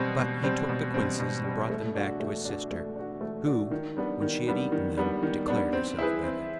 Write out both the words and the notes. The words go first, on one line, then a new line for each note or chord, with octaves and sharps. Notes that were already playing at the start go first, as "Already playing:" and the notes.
But he took the quinces and brought them back to his sister, who, when she had eaten them, declared herself better.
Already playing: B2 G3 C4
B2
G3 C4
B2
G3 C4
B2
G3 C4
A3
D4 F#4
A3
D4 F#4
A3
D4 F#4
A3
D4 F#4
D#3
G3 B3 D4
D#3
G3 B3 D4
D#3
G3 B3 D4
D#3
G3 B3 D4
C4
E4 G#4 B4
C4